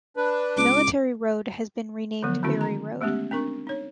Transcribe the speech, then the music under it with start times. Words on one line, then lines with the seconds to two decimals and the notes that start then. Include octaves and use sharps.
Military Road has been renamed Barry Road.
0.17 D4 B4
0.57 C#2 D6
2.23 D3 F3 F#3 B3
2.43 D3 D#3 A3 C#4 E4 F#4
2.61 A#5
3.01 G#3 A3 B3 C#4 G4
3.31 C4 D4 A#4 C#6
3.67 D#4 C#5